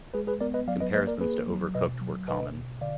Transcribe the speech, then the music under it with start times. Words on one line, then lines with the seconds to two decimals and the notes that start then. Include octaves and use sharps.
Comparisons to "Overcooked" were common.
0.14 G#3 G#4 B4
0.27 G#4 B4
0.41 B3 A#4 D5
0.54 B4 D#5
0.68 F#3 D5 F5
0.81 B4 D#5
0.94 A#3 B4 D#5
1.07 A#4 D5
1.21 A#3 G#4 B4
1.48 F#3
1.75 B2 B4 D#5
2.01 F#3
2.28 B2 B4 D#5
2.54 B2
2.81 D3 D5 F5